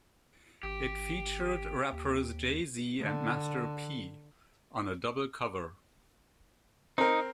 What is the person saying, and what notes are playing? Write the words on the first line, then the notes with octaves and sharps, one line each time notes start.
It featured rappers Jay-Z and Master P on a double cover.
G#1 G4
D#2
D3
C4 D#4 A#4